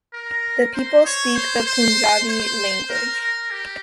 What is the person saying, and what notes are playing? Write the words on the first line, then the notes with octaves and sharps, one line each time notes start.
The people speak the Punjabi language.
A#4
C5
C#5
C5
C5
C5
A#4
A#4
G4